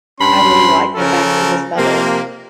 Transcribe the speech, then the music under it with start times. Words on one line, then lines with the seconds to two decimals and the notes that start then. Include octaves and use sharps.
I really liked the fact that his mother
0.20 G2 C#4 B5 C6
0.95 C#3 F3 C#4 A4 A#4
1.76 C3 F3 A#3